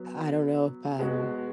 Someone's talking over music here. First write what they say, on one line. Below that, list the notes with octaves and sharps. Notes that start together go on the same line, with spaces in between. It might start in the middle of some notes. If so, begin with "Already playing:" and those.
I don't know if I'm
Already playing: F#3 B3
G#3 B3 F#4